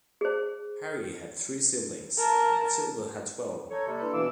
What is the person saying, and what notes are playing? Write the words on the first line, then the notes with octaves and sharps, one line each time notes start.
Harry had three siblings and Matilda had twelve.
G#4 C5
A#4 A5
D#4 A4 C#5
C3 G3 A#3 C6
D4 E4 B4
B2 E3 F5 D6 E6